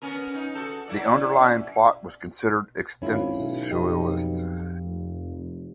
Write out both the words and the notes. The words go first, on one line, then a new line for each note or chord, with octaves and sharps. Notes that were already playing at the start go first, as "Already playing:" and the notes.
The underlying plot was considered existentialist.
B3 C#4 A#4
D#4
F#4 A4
F#3 E4 D5
F#2
G#1 C#4 E4 F4
B1
F2 G4 D#5
F1